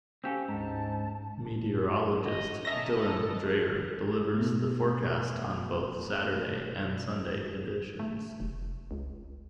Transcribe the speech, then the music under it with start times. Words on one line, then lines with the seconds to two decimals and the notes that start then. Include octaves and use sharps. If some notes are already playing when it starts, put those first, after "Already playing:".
Meteorologist Dylan Dreyer delivers the forecast on both Saturday and Sunday editions.
0.24 C4 C#4 G4 A4 F5 G#5
0.48 D2 G#2 A5 A#5
2.22 F#4 D#5
2.65 C#4 A#4 D#5 E5 A5 A#5 A#6
2.97 A4
4.34 B2 A3
7.99 A3
8.40 F1
8.91 C#2